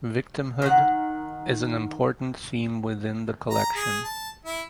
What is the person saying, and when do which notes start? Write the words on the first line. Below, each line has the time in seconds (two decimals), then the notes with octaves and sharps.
Victimhood is an import theme within the collection.
0.62 D#3 F#5
3.51 A#5
3.75 G#4
4.04 A5
4.45 E4